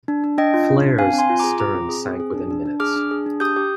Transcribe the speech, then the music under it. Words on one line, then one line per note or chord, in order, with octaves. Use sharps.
"Flare"s stern sank within minutes.
D4
D4
D4 D#5 G5
F4
D4
D4
C4 F5 G#5
C4
G#5 C6
F4
A#5 D6
G#4
F4 A#5 D6
C4
G#4
C4
G#4
D4
D4
D4
G#4 D6 F6
D4
G#4
D4
G4 D#6 G6
G4